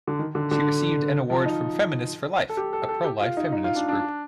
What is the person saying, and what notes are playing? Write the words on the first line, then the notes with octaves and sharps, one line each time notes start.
She received an award from Feminists for Life, a pro-life feminist group.
D3
D#3
D3
D3
F3
D#4
A4
G4
A4
A4
G4
F4
D#4
D#4
F4
D4
D4